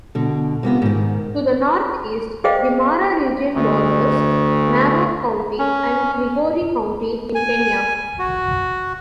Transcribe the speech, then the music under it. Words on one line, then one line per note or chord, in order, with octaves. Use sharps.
To the northeast, the Mara Region borders Narok County and Migori County in Kenya.
B2 D3
C3 A#3 B3 F4
G#2 D#3
G#4 C5 D#5 F5 G5
D2
C#4
G#5
F#4